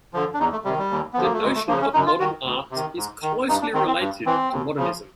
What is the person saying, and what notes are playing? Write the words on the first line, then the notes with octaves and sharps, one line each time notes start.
The notion of modern art is closely related to modernism.
D3 F3
D4
E2 D#4
A3
C3 D#3 G3
G3
D#2
D3 F3 B3
A#3
A3
D2 G#3
A3
C#3 F3 A#3
C#4
F#2 D#4
F4
D#3 F#4
D2
C3 D#3
G#2
D#3
G2 D#4
D4
D#3 C4
C4
G2
E3 C4
D#2
C#3 F3